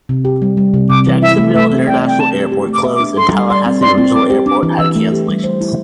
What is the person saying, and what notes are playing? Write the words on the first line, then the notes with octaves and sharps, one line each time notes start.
Jacksonville International Airport closed and Tallahassee Regional Airport had cancellations.
C3
G4
G3
G3
C3
C3 D6
E3
E4 E5
A3
A3 E5
C4
D5 G5
C4 G5
C4 A5
G4
G4
A3 D6
E5
D6
D4
A4 C6
G3
D5 C6
C4
D5 C6
C4
C4 D6
G4
D4 D6
E3
E3 E6
A3
G4
G3
C5
E4